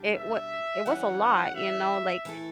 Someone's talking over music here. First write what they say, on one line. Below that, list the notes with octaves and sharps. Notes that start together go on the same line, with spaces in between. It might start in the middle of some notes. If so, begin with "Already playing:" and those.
it wa it was a lot, you know, like,
Already playing: B2 G3 D4 G4
E5
E3 G3 C#4 G4 F#5
E5
E3 A3 E4 A4